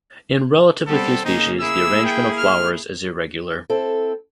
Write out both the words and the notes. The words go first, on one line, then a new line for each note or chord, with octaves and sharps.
In relatively few species, the arrangement of flowers is irregular.
G3 B3 C4 A4
C#3 A#3 D#4 G#4
A#3 E4 G#4 E6
G5
F6
C4 E4 A4